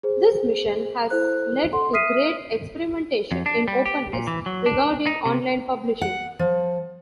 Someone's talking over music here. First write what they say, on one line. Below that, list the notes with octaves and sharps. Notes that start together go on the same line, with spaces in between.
This mission has led to great experimentation in openness regarding online publishing.
G#4 C5
E4 A4 C5 F#6
A4 F#5 C6
E5 D#6 F6 B6 C7 D#7
F2
D4
G3
G4
A#2
E3
F#3
D4
D#4
C3
F#5
F3